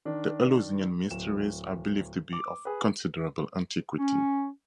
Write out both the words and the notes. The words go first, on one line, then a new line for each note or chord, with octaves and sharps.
The Eleusinian Mysteries are believed to be of considerable antiquity.
D#3 D4
D1 E7
D6
G#4 B4
C#4